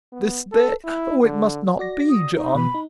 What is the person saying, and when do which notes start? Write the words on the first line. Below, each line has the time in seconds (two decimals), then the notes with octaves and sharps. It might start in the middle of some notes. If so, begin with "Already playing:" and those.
This day--oh, it must not be, John!
0.13 B3
0.52 A4
0.85 E4
1.24 D3
1.79 F#4 D5 A#6
2.09 D#6
2.35 D#4
2.55 B2 B3 B5
2.75 D#4